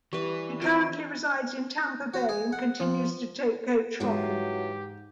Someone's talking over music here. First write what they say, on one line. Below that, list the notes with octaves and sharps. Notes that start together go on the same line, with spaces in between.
He currently resides in Tampa Bay and continues to coach hockey.
E3 G3 B4 C#6
C4 F4 D7
F#4
G#4
F#5
F3
G#2 E3 F#3 G#3 F4 G4